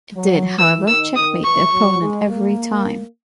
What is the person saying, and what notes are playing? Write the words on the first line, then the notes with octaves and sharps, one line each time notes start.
It did, however, checkmate the opponent every time.
F#3
E3 E6
D#3 E6
D#3 D#6
E3 C#6
F#3
G#3
A#3